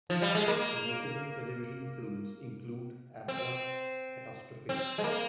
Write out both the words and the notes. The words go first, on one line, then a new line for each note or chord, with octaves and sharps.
Notable television films include Abra-Catastrophe!
F3
G3
G#3
A#3
C4
C4
G#3
A#3